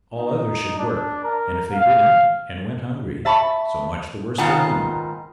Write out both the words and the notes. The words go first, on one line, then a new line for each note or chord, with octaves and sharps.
All others should work, and if they didn't, and went hungry, so much the worse for them.
D#4
D4
A#4
F5
E5 A5 B5 C#6
G#2 D#3 B3 F4 F#5 A5